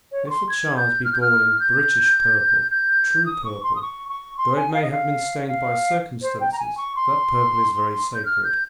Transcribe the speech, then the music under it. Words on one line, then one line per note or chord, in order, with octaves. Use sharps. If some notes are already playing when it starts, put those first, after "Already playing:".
If a child be born in British purple,--true purple, though it may have been stained by circumstances,--that purple is very sacred.
C#5
C#6
C6
G#6
G6
F6
G6
F6
G6
G6
D#6
C#6
C6
D#6
C#6
C#6
C6
G#5
F5
D#5
F5
F5
C5
G5
A#5
G#5
C#6
C6
G6
F6
G6